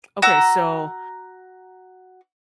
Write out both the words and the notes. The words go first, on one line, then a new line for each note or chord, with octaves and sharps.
Okay, so
F#4 A#5 E6